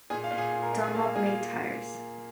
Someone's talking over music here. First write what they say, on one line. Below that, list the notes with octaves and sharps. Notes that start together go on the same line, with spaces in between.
Dunlop made tyres.
A#2 G#4 G#5
F5
A#2
G#4 G#5
A#2
A#4 A#5
A#2
G#4 G#5
A#3 F5
F5
A#2 G#4 G#5
F5